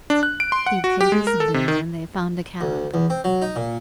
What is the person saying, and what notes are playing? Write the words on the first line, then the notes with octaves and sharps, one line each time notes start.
He paid his bill and they found a cab.
D4
F#6
D7
C6
F#5
F#4
G4
G#3
A#4
A4
C3
D#3
D2
E2
C4
F#3
D#4
A#2